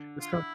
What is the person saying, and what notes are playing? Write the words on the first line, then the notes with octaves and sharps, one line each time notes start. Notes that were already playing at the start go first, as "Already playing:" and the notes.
it's got
Already playing: D3
F4
E4